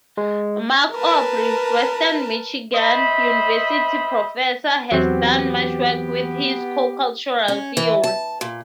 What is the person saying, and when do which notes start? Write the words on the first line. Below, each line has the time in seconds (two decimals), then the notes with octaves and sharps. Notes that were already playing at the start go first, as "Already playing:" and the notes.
Mark Orbe, Western Michigan University Professor, has done much work with his co-cultural theory.
0.17 G#3
0.93 A#4 B4 A5
2.74 C5 D#5 E5 B5
4.92 E2 E3 F#3 B3 C4 G4
7.48 C#4
7.77 E3
8.04 A5
8.41 A#2